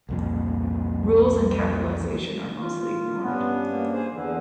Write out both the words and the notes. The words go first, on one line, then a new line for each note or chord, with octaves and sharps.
Rules in capitalization are mostly ignored.
C2 F2 A#2
F4
G2 B3 C#4 D4
A#3
G#4 C5
E2 D3 E3